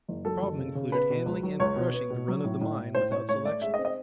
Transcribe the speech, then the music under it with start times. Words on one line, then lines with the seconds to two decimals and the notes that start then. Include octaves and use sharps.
The problem included handling and crushing the "run of the mine," without selection.
0.08 F#1
0.25 F#3 A4
0.42 F#1
0.58 C#3
0.75 C#3
0.92 B3 B4
1.10 B2
1.26 C#2
1.43 F#3
1.60 C#2 C#5
1.76 B2
1.93 B3
2.10 B2
2.28 F#3
2.44 A2
2.61 A2
2.78 A2
2.95 A2 C5
3.11 A2 C#5
3.29 A3 C#5
3.45 A3 D5
3.62 G#3 E5
3.74 D#5
3.79 C4
3.85 D#5